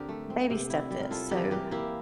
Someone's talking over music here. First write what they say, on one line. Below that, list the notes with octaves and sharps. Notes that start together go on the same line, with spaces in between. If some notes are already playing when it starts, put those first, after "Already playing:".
baby-step this." So,
Already playing: D3 C4 G4 A#4
A3
C4
C3
E4
G3
A#4
E4 F4 A4
E3 G4 A#4
E3 G4 A#4
A#3 E4 G4